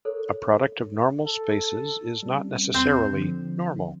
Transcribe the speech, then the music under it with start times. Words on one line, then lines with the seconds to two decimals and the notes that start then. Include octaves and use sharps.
A product of normal spaces is not necessarily normal.
0.05 A4 A#4 C#5
1.26 A4
2.23 G3 C4 C#4
2.74 E2 C4
3.12 D3 F3